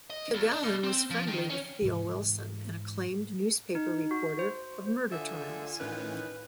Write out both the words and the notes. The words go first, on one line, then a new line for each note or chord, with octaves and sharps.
Kilgallen was friendly with Theo Wilson, an acclaimed newspaper reporter of murder trials.
D#5
E2
D4
B2
C4
F3
D#3
C#4
G#2 C3 E3
D#4
F#4
C5
D3 F4 E5 G#5
A2 D#3 E3 C#4 B4